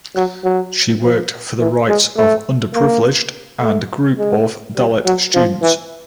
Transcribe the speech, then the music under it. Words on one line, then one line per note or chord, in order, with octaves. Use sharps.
She worked for the rights of underprivileged and group of Dalit students.
F#3
F#3
F3
E3
G#3
A3
A#3
A3
G#3
G3
F#3
F3
E3